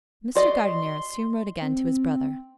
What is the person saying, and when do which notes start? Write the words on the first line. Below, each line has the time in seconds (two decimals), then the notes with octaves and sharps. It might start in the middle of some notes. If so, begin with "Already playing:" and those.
Mr. Gardiner soon wrote again to his brother.
0.35 F#4 D5 D#5 C6
1.62 C4